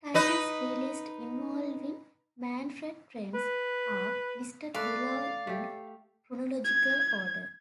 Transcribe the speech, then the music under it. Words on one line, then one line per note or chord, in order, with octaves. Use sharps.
Titles released involving Manfred Trenz are listed below in chronological order.
D#4 B4 D#5
B4
A3 A4 B4 D5 F5
A3 G4
G#6